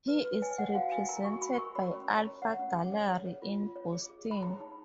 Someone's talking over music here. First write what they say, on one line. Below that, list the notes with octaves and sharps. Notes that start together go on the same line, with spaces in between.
He is represented by Alpha Gallery in Boston.
B4
B4
C#5 G#5
C#5 F#5
F#4 F5
F#4 G#5
A#4 A#5
F#4 C#6
F#4 B5
A#4 C#6
C#5 B5
C#4
C#5 A#5
C#5
C#5 F#5
C#4
G#4
C#5
C#5
C#5
F4
F4
C#5
G#4
G#4
G#4 B5
C#5 A#5
D#4